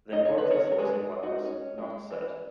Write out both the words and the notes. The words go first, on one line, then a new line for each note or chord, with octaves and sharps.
The importance was in what was "not" said.
D#4 D#5
C#5
B4
B3
A#4 C#5
A#4
G#3 G#4 B4
G#3
D#4 F#4
C#4
G#3
E3